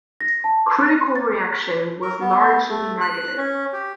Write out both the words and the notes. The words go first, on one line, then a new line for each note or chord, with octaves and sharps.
Critical reaction was largely negative.
A#6
A5
F#6
A6
A#4
B3
A3
F#6
C#4
G4